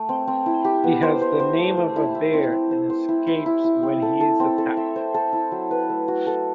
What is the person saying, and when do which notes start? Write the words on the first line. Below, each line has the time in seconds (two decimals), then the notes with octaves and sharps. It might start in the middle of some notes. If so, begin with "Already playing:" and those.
He has the name of a bear and escapes when he is attacked.
Already playing: A3
0.09 C4
0.27 C4
0.46 E4
0.65 G4
0.84 B3
1.02 C5
1.21 C5
1.40 C5
1.58 A3
1.77 A3
1.96 E4
2.15 E4
2.33 C4
2.52 C4
2.71 C5
2.90 C5
3.09 E4
3.27 E4
3.46 E4
3.64 E4
3.83 C4
4.02 A4
4.20 A4
4.40 C4
4.58 A4
4.77 E5
4.96 C5
5.14 A4
5.33 E4
5.52 F#3
5.71 B4
5.89 A3
6.08 F#4
6.27 A4